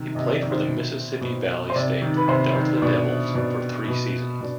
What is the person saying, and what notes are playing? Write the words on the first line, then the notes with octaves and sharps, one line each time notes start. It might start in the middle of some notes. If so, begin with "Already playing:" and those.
He played for the Mississippi Valley State Delta Devils for three seasons.
Already playing: C3 D#3
C3 D#5
D5
D#3
C5
B2
B2
C5
C3 D5
D#3
B4
C3 C5
D#3
B2 D4
B2 D4
B2
B2 D4